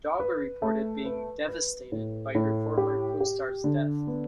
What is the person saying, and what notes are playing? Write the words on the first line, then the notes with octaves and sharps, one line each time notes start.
Dawber reported being "devastated" by her former costar's death.
B4
A3
B4
B4
A2
A2
G4
G4
D3
B3